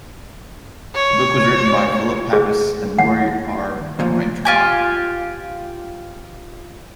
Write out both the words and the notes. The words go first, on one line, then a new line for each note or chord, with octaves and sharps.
The book was written by Phillip Papas and Lori R. Weintrob.
C#5
G#4
D#2 F#5
D2 A#2 F3
F4 G4 G#5